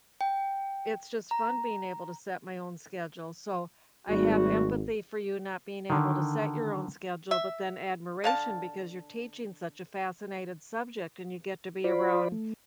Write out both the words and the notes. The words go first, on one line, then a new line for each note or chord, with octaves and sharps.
it's just fun being able to set my own schedule so, I have empathy for you not being able to set your own schedule, but then admiration because you're teaching such a fascinated subject, and you get to be around
G5
A#5
G#1 G3 A3 F#4
D3 D#3
E5
D3 F5 A5
F4 C5 D5 B5
A3